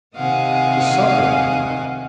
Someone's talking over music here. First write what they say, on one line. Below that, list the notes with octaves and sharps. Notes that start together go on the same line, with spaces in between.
"To supper!" he thought.
C3 D#3 D#5 F5 F#5 G#5